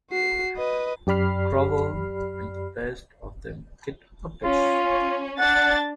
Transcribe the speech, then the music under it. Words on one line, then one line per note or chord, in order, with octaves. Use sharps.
Grovel, and the best of them get uppish.
F#4 C7
B4 D#5
F#2 G4 D5 B5 F6 C7
C#4 F4
D4 F#5 A6